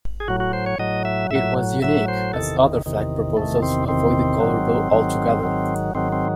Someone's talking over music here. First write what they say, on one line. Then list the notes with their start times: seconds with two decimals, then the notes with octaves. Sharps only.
It was unique, as other flag proposals avoid the color blue altogether.
0.20 G#4
0.28 A2 F#3 F#4
0.40 F#4
0.53 C5
0.66 C#5
0.79 A2 F#3 D#5
1.05 E5
1.31 A2 F#3 E5
1.82 A2 F#3 E5
2.08 C5
2.34 E2 C3 D#3 A4
2.86 E2 C3 D#3
3.37 E2 C3 D#3 A3
3.63 C4
3.88 E2 C3 D#3 C4
4.40 G#2 D#3 F#3
4.92 G#2 D#3 F#3
5.43 G#2 D#3 F#3
5.95 G#2 D#3 F#3 C4
6.12 C4